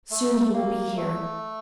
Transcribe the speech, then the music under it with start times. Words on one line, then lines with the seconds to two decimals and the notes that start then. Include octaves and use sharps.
Soon he will be here.
0.11 A3
0.53 A#3
0.97 A3